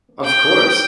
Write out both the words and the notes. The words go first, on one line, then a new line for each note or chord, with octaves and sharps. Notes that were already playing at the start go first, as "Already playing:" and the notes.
Of course.
G5 G6